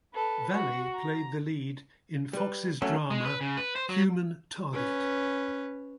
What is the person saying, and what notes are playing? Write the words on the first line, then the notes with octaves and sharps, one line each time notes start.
Valley played the lead in Fox's drama "Human Target".
A4 B4
F#4
A#5
G3 B4
F#3 A3 C#4
G#3
B4
C#3
B4
C5
F#3
C#4 B4